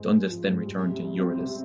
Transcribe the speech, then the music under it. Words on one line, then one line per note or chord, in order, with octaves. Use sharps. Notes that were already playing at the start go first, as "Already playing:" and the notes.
Dundas then returned to "Euryalus".
Already playing: G#2 G#3
G#2
F3
G#2
G3
C3
G3
C4
C3